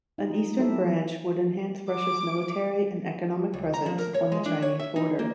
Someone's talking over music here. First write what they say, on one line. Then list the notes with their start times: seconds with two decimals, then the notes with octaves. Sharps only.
An eastern branch would enhance Russia's military and economic presence on the Chinese border.
0.18 D#4
0.59 F#3 E4 G4 A4 E5
1.91 D6
3.54 C#2
3.74 A#5
3.86 F3
3.99 A#4
4.14 C#5
4.32 G#3
4.46 D4
4.62 C#5
4.80 E5
4.96 D#4
5.19 A#3